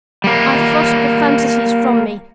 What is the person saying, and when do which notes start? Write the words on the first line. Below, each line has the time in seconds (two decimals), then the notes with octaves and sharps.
I thrust the fantasies from me.
0.24 G3 A#3